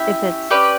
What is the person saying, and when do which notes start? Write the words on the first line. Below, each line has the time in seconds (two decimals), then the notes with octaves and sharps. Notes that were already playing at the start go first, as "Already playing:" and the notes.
if it's
Already playing: C#4 E4 G4 E5
0.50 C#4 G4 B4 D5